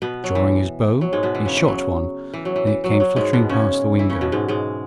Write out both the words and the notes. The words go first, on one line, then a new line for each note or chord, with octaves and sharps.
Drawing his bow, he shot one, and it came fluttering past the window.
B2 B3
F#3
E3
F#3
G#2 G#3
B2 B3
E3
C#3
E3
F#3
E3
F#3
E3
E3
F#3
F#3
G#2 G#3
B2 B3
C#3 C#4
E3 E4
C#3 C#4
B2 B3
G#2 G#3
G#2 G#3